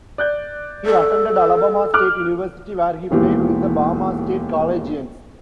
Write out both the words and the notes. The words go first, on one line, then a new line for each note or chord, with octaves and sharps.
He attended Alabama State University, where he played with the Bama State Collegians.
D5 F#6 G6
A4
D6 F6 F#6
E1 D#2 E3 G4